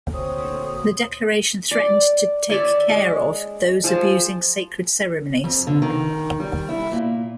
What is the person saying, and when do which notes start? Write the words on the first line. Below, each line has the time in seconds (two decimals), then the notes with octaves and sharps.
The declaration threatened to "take care of" those abusing sacred ceremonies.
0.13 D2 A#2 C4 F#4 C5 C#5 D#6
1.71 D5
2.50 C#5 D5 E5
2.90 G#3
3.84 F3 G#4 G#5 A5
5.44 F2
5.67 D3
5.82 D#3
6.40 G3
6.69 E4
6.92 A#2